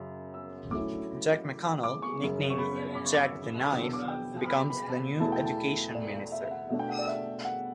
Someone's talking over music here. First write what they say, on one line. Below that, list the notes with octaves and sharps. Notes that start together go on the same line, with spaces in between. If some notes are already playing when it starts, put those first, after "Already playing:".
Jack McConnell, nicknamed "Jack the Knife", becomes the new Education Minister.
Already playing: F#2 C#3 F#3
E6
A2 F#3 A3 C#4 E4 D6
D6
C#6
F#2 C#3 F#3 C#4
C#6
B5
D6
C#6
D6
E6
E2 B2 F#3 B3 D4 D6
E6
D6
G5
B5
B5
E2 B2 A3 E4 A5
G5
A5
B5
D5
E5
E5
F#5
B2 A3 D4 E5
G5
F#5
D5
E5
F#5